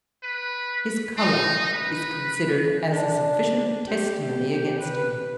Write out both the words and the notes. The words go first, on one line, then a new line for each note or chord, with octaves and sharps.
His colour is considered as a sufficient testimony against him.
B4
D#4
B4
D4
G4
B4